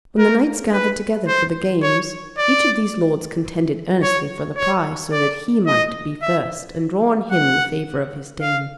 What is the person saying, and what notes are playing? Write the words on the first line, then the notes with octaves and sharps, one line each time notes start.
When the knights gathered together for the games, each of these lords contended earnestly for the prize, so that he might be first, and draw on him the favour of his dame.
A#4
B4
C5
C#5
D5
C#5
C#5
D5
D#5
E5
F#5
F5